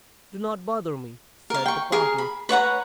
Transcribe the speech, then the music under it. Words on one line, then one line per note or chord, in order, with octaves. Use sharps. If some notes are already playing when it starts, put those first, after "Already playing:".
"Do not bother me," said the potter.
A#4 F5
G5 C#6
G#4 A#4
B5
B4 C#5 F#5 A#5